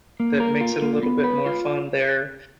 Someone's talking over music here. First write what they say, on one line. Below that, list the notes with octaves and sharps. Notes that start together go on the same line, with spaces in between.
that makes it a little bit more fun there.
A#3
A#4
F4
A#3
B3
B4
F4